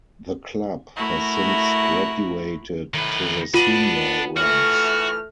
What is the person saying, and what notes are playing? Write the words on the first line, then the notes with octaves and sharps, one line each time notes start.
The club has since graduated to the senior ranks.
A3 E4 F#4 A#4
A2 D#3 B4
B3 D4 F4 D#7 F#7
E3 A3 F#4 F6